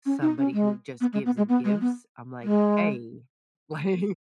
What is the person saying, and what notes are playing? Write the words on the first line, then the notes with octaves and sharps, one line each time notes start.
somebody who just gives and gives. I'm like, "Hey, like
C#4
D#4
C#4
G#3
B3
G#3
B3
G#3
B3
G#3
B3
G#3